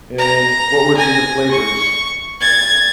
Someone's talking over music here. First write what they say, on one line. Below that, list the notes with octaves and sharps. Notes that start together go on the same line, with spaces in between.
And what would be the flavors
A#5
G#5 A#6
C#6
G#6 A6